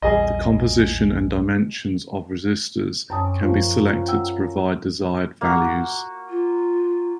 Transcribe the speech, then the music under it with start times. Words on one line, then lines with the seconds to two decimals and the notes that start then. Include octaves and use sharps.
The composition and dimensions of resistors can be selected to provide desired values.
0.02 A#1 E2 G3 G#4 D#5
3.10 F#2 C4 C#4 A5 D6 D#6
3.41 F3 A#3 C#5
4.07 F#5 G5 E6
5.41 A#3 F#4
6.29 F4